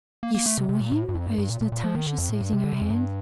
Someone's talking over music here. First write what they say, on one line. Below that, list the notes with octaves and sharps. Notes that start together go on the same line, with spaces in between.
"You saw him?" urged Natasha, seizing her hand.
A#3
A#3
A3
C3
C3
A#2
A2
G2
F2
G2
G2
A#2
A#2
A#2
F3
D#3
D3
F2
A2
G2
C3
D3
C3
F2
G2